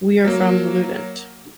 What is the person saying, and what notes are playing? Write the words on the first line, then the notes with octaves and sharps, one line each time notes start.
We are from Lludient.
F#3 A#3